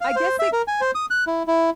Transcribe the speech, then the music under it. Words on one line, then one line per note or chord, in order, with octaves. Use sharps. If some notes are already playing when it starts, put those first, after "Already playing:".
I guess it
F5
C5
E5
A#4
G#5
C5
D#6
F#6
E4
E4